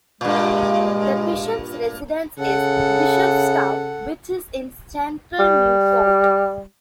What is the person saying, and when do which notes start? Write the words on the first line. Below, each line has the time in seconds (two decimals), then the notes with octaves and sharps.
The bishop's residence is Bishopstow, which is in central Newport.
0.21 G2 A#2 G#3
2.39 C#3 A4 F#5
5.39 G3